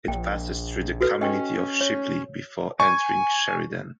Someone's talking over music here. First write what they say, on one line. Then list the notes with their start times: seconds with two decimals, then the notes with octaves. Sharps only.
It passes through the community of Shipley, before entering Sheridan.
0.08 A#1 G5
1.01 F#4 A4 B4
1.21 C#4 D#5 G5 C#6
1.81 C#5
2.80 G#5 C#6